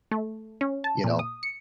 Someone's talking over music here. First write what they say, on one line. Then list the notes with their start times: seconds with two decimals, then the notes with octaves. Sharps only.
you know,
0.11 A3
0.61 C#4
0.84 A5
1.04 A#2
1.19 D#6
1.43 C#7